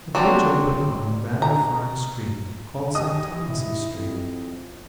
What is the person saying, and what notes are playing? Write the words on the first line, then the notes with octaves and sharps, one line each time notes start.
The bridge opened on a rather fine street called St. Thomas's Street.
F#3 C4 D4
A#5
G4 D#5 D#6
E4
F2